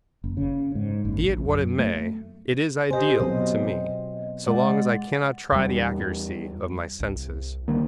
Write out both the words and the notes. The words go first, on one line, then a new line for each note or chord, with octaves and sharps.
Be it what it may, it is ideal to me, so long as I cannot try the accuracy of my senses.
F#1
C#3
G#2
F#1
A#1
F#2
A3
G4 C5 D#5 G#5
B2 F#3 C4 D#5
G#3 D5 F#5
E2 G3
C2
D3 D#3 G3 A#3